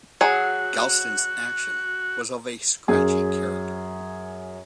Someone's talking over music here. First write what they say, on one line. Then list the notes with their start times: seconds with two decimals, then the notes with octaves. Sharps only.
Galston's action was of a scratchy character.
0.21 F#3 F#4 G#4
2.88 F#2 G#4